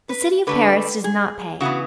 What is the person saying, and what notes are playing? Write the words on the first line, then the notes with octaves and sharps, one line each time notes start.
The city of Paris does not pay.
B4
D3 A3 D4 B4
G#4
C#3 E3 B3 F#4